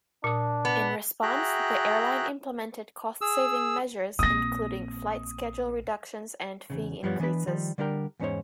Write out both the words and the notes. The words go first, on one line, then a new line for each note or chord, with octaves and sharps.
In response, the airline implemented cost-saving measures, including flight schedule reductions and fee increases.
A#2 D4 D#6
B3
F#4 G#4 E5 G5 A#5 F#6
G#4 E6
A#1 C4 D#6 A#6
E2 A2 C#3
G2 F3 G3 B3 C#5
E3 B3 D4 B4 B5
D#3 F3 G3
D3 G3 D4 G4 A#4 G5
E2 G#2 C#4 D#4 C5 C#5